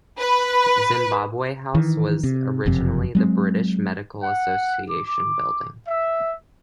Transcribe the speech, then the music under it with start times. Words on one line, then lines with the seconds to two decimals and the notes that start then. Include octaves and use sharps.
Zimbabwe House was originally the British Medical Association Building.
0.18 B4
1.75 D#3 E3
2.24 C3
2.66 F#1 F2 C3
3.15 F#3 G#3 C4
4.22 F#5
4.89 D6
5.87 E5